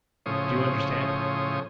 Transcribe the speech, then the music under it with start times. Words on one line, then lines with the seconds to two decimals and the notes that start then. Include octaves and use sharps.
Do you understand?
0.26 A2 C#3 F3 C5 C#5 D#6